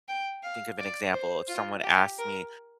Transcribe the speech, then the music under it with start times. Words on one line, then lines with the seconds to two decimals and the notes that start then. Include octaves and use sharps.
think of an example. If someone asked me,
0.08 G5
0.43 F5
0.79 D5
1.13 C5
1.48 F4
1.83 G4
2.18 A#4